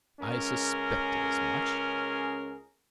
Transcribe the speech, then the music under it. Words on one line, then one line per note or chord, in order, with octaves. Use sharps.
I suspected as much.
C#2 C#4 G#4 A#4